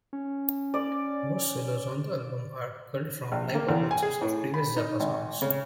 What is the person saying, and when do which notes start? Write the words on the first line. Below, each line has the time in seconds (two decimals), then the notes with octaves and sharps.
Most solos on the album are culled from live performances of previous Zappa songs.
0.13 C#4
0.74 D5
3.32 A#1
3.55 A#3
3.69 E2
3.91 G#5
4.02 G#4
4.21 A2
4.54 B5
4.77 D#4
5.00 G#1
5.42 C#3